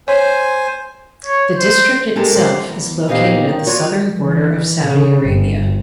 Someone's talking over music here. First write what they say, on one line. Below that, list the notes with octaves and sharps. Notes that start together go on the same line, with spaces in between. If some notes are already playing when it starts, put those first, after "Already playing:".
The district itself is located at the southern border of Saudi Arabia.
C5 C#5 G#5
C#5
C5
G#3 G4 A4 A#4
G4 C5
E2
A#2 B3 C4 D#4 G4 F5
D#3
F#3 F4 F#4 C#5 D5
E3
C#3
G1